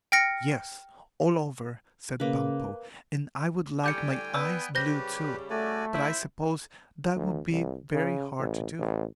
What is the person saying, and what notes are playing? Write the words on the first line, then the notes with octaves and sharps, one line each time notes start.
"Yes, all over," said Bumpo--"and I would like my eyes blue too, but I suppose that would be very hard to do."
G5 F6 A#6 C#7
C#3 A#3 B4
A2 D3 G3 G5 G#5 D6 G6 C#7
B3 D5 E6
C#3 G3 G4 B4 C5 G6 A#6
A3 F#4 D5 G#5
E4 C5
D2
C2
C#3
A1
A1